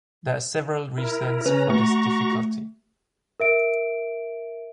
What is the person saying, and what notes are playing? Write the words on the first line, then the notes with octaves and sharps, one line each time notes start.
There are several reasons for this difficulty.
E4 A#4
C#3 C#4 B4 A#5
A3 F#4 A#5 C#6
A#4 E5 D7